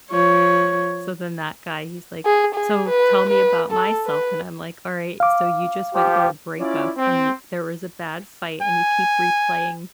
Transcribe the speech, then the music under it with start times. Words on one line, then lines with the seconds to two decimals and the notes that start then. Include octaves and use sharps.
so then that guy, he's like, "So, tell me about myself," and I'm like, "Alright, so, you just went through a breakup and yo there was a bad fight, and you keep replaying
0.10 F3 C#5
2.26 G#4
2.54 G#4
2.89 B4
3.29 B4
3.71 A4
4.06 B4
5.20 F5 D6
5.95 F3 G4
6.59 C#4 E4 F4 D5
6.96 C4
8.62 G#5